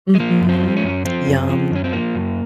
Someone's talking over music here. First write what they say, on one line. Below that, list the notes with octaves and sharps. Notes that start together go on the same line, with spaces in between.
Mhm. Yum.
G#3
F3 A#3
F#2
C4
F3
C#4
F#2
F3 C4
F#2
F3
F#2 C#4
C4
F3 A#3
F#2